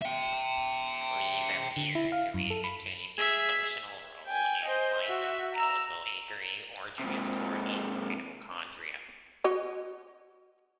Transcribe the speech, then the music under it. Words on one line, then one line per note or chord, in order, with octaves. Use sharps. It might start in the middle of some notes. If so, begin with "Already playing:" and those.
These appear to indicate a functional role in cytoskeletal anchoring or transport of mitochondria.
E5 G5
D3
E4
F5
F#2
A4
B5
G#4 E5
G5 G#5
C5 D#5
F#4 E5
A#5 E6
G#2 C3
F#4 C#5 D#5